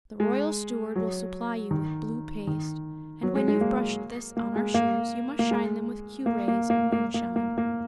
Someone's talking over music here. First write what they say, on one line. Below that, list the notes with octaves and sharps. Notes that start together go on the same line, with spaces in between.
The Royal Steward will supply you with blue paste, and when you've brushed this on our shoes you must shine them with Q-rays of Moonshine.
G#3
F#3
D#3
D#3
F#3
G#3
G#3
A#3
A#3
G#3
A#3
A#3
G#3
A#3
A#3
A#3
A#3
A#3
A#3
A#3